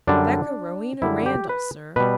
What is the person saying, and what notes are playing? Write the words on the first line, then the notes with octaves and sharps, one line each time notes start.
"Rebecca Rowena Randall, sir."
F#2 D3 G3 D4
F#2 D3 G3 E4
G4
B4
B2 G3 B4